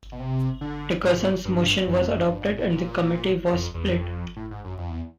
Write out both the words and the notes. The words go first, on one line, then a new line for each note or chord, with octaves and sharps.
Dickerson's motion was adopted and the committee was split.
B2
C3
D3
G#2
G2
F#2
F2
F#2
G2
G#2
A2
A#2
F2
E2
F#2
F2
A2
G#2
F#2
F2
E2